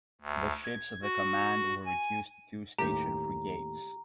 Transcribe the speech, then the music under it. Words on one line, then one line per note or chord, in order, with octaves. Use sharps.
The ships of the command were reduced to two Station Frigates.
D2
G#6
F#4
G#5
D#2 A2 G4 A#5